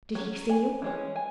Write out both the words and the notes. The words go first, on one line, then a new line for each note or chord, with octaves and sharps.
"Did he see you?"
F#3 C#4
G#5
E3 G#3 C#4
G#5